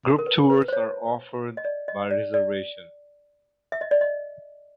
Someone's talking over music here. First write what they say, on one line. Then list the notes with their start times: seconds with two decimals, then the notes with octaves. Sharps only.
Group tours are offered by reservation.
0.10 A4
0.19 A#4
0.27 B4
0.50 B4
0.68 C5
0.73 C#5
1.57 D#5
1.65 D5
1.88 D#5
2.11 D5
2.34 D5
3.72 E5
3.81 D#5
3.91 D5
4.01 D#5